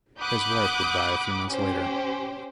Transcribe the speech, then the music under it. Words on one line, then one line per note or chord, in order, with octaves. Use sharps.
His wife would die a few months later.
F#5 B5 D6 D#6 F#6 G6
C#4 G4 C5